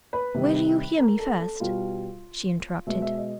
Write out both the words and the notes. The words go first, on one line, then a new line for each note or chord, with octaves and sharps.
"Will you hear me first?" she interrupted.
B4 B5
C3 D#3 G3
A#4 A#5
A4 A5
A4 A5
B2 G3 F4 F5
B2 G#3 E5
E5
D#5